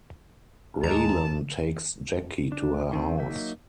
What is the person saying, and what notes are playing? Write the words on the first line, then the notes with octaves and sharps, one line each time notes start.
Raylan takes Jackie to her house.
D#2 G#3 A5 A#5
D4
D#3 C4
F#3 A#3 D#4 E5